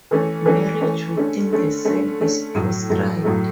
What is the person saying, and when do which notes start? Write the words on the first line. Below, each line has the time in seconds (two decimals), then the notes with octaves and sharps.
Marriage within the same is proscribed.
0.11 E3 A3 C#4
0.46 E3 A3 C#4
0.81 E3 A3 C#4
1.16 D3 A3 C#4
1.50 D3 A3 C#4
1.85 D3 A3 C#4
2.20 D3 A3 C#4
2.55 A2 F#3 A3
2.90 A2 F#3 A3
3.24 A2 F#3 A3